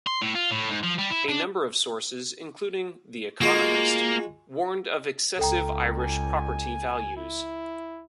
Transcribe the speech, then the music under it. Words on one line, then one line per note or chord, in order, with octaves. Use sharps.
A number of sources, including "The Economist," warned of excessive Irish property values.
C6
A2
F4
A2
G#2
F3
G3
E4
D4
G#3 A#3 F4 F#4
C#2 A4 G5 A#5
G#5
E4